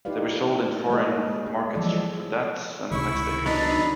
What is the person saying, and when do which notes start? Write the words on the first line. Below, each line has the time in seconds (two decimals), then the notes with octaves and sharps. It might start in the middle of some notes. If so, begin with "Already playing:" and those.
They were sold in foreign markets through that and the next decade.
0.05 D#4 E4 G4 B4 D5 F5
0.90 G#3 A#3 G#4 A4 D#5
1.46 G#4
1.75 E3 F3 G3 G#3 A4 D5
2.91 C#2 C3 D#3 E4 C#6
3.46 F#3 B3 D4 D#4 B5